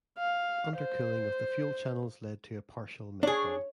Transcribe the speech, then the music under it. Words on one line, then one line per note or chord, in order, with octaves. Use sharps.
Undercooling of the fuel channels led to a partial meltdown.
F5
C5
D4 G#4 C#5